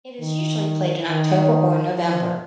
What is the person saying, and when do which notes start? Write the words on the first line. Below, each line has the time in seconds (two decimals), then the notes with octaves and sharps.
It is usually played in October or November.
0.20 D#3
1.08 D#3
1.94 F3